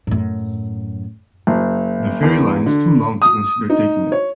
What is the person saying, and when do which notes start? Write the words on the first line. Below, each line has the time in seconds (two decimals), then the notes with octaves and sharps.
The ferry line is too long to consider taking it.
0.07 F#2 A2
1.47 F#1
2.23 E2
2.66 D3
3.22 D#6
3.70 D#4
4.12 C#5